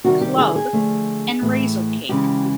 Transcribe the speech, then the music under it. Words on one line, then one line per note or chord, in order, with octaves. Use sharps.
Club, and Razorcake.
C3 D#3 G3 F#4
G4
G#4
G#4
D3 F3 A3
A2 E3 A3
C#3 E3 G#3 G4